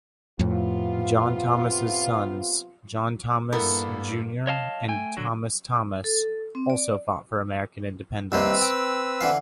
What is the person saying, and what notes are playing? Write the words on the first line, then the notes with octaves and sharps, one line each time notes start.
John Thomas' sons, John Thomas, Junior and Thomas Thomas, also fought for American independence.
F2 A2 C3 B3 F4
G2 A#2 A#3 B3 E4 A4 A#4
C#5 D#5 F5 A5
A3 G5 G#5
D3 F#3 F#4
A4
C4
D5
C2 D#3 A#3 C4 B4 E6
G5
D3 E3 F5